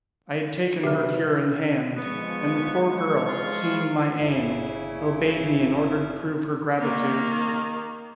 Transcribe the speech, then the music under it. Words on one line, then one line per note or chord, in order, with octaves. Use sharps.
I had taken her cure in hand, and the poor girl, seeing my aim, obeyed me in order to prove her gratitude.
D2 C3 F#3 G4 A#4 B4 E5
F3 G#3 B3 C#6
F4
G1 C#3 E4
D#3 A#3